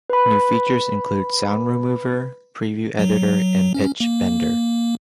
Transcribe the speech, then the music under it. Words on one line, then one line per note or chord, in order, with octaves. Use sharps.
New features include sound remover, preview editor and pitch bender.
B4 B5
F#3
C#4
A#3